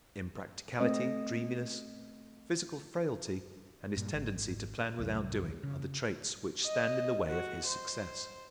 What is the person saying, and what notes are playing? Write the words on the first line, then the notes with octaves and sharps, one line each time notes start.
Impracticality, dreaminess, physical frailty and his tendency to plan without doing, are the traits which stand in the way of his success.
A3 C4 D#5
G2 A#2
G#1
C2 F#2 A2
C#3
D#5
F#4
C5